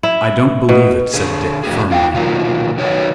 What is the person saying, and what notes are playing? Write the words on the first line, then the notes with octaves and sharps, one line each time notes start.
"I don't believe it," said Dick, firmly.
E4
B2
D3 G#4
F2 A2 F#4 G#4
E4 F4 F5 G5
B2 D#3 F#3 A#3 F4
D#3 F#3 D#4 F#4 B4 C#5